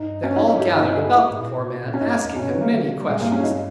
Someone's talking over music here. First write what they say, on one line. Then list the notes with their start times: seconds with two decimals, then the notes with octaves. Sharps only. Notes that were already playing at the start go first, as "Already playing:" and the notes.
They all gathered about the poor man, asking him many questions.
Already playing: G2 D#4
0.24 C#4
0.36 D#4
0.48 E4
0.59 G2 G4
0.69 E4
0.77 D#4
0.86 E4
0.95 G#4
1.07 G#4
1.18 E4
1.31 G#2
1.39 A#2
1.48 B2
1.58 A#2
1.66 B2
1.84 A#2
1.94 C#4
2.01 G2 D#4
2.25 E2
2.36 G2 C#4
2.49 B3
2.55 D#3
2.61 A#3
2.73 D#3
2.85 D#3
2.96 C#3 G3
3.08 A#2 G#3
3.20 G#2 A#3
3.31 G2 C#4
3.40 E4
3.43 G2 D#4